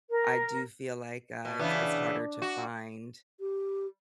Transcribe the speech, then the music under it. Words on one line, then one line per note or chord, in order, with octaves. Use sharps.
I do feel like, uh, it's it's harder to find,
A#4
B2
C#3 E3 B3 D4
F#4
G4